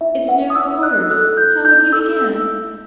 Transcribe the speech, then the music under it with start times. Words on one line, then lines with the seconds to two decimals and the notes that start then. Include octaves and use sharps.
It's narrow quarters; how would he begin?'
0.01 E4 E5
0.28 B4 F#5
0.50 D#6
0.55 E4 E6
0.82 E4 F#6
1.10 A4 F#6
1.37 E4 G6
1.65 E4 G6
1.93 A4 E6